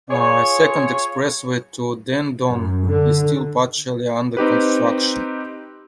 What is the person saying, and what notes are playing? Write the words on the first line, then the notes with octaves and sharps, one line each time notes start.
A second expressway to Dandong is still partially under construction.
F4 G#4 C#5
F#2
D3
C4 D#4 G4 B4